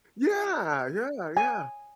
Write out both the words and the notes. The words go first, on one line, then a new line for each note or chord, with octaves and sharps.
Yeah, yeah, yeah.
G#5